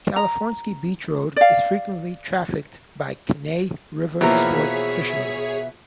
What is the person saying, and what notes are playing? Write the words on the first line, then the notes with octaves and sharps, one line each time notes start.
Kalifornsky Beach Road is frequently trafficked by Kenai River sports fishermen.
A#5
D5 F5
B2 E3 F3 A#3 G#4 C#5 E5 A#5